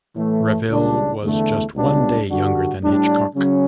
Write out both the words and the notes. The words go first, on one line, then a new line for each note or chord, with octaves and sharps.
Reville was just one day younger than Hitchcock.
A2 E3 A3
C#2 C#3 G3 D4
E2 D3 A3
C#2 B2 G3 B3 D4
G2 D3 G3 D4 F#4
A2 G3 D4
C#3 F#3 C#4